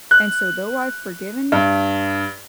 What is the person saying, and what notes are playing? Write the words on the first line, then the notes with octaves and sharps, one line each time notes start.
and so though I've forgiven,
F#6
G2